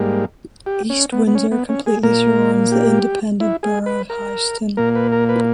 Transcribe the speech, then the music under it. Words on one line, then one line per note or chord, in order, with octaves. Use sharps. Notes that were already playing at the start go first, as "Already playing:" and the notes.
East Windsor completely surrounds the independent borough of Hightstown.
Already playing: G#2 G3 A#3
G4
C#4
B3
B3
C#4
B3
C#4
G#4
A#2 A#3 A#4
G4
E4
G#4
B4
A#4
A#2 A#3 A#4
B4
A#4
B4